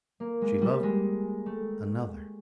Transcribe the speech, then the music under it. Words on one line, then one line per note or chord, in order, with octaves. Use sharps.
She loved another.
A#3
G#3
G3
G#3
A3